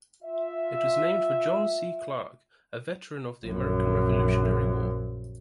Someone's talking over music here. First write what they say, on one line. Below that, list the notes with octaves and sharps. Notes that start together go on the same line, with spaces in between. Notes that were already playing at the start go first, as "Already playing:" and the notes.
It was named for John C. Clarke, a veteran of the American Revolutionary War.
F4 E5
A#1 F#2